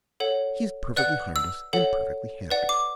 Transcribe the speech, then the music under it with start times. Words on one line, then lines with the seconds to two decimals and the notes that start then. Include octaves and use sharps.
He is perfectly harmless, and perfectly happy.
0.20 A4 C#5 F#5
0.96 B4 D5 F#5 F#6
1.36 E6
1.73 A4 C#5 F#5
2.50 B4 D5 F#5
2.69 D6